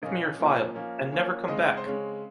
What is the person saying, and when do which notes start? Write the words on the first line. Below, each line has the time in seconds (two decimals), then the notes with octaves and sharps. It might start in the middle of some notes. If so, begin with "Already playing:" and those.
Give me your phial...and never come back!
0.02 A#2 F3 A#3 C#4 D#5
0.39 A#2 F3 A#3 C#4
0.75 F3 A#3 C#4
1.12 F3 A#3 C#4 C#5
1.48 C#3 G#3 C4 D#5
1.77 C5
1.85 C#3 G#3 C4 C#5